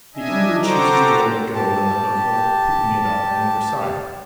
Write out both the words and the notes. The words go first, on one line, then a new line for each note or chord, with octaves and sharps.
The angler chooses to let it go in the hope of picking it up on the other side.
D4 D#5 E5 G#5
F#4 G4 A4 C5 A#5 D6
G4 A5